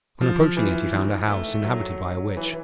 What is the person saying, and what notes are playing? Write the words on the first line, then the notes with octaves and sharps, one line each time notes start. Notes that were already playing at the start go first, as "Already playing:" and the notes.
On approaching it, he found a house inhabited by a Witch.
F3
E3
D#3
A3
F#3
E3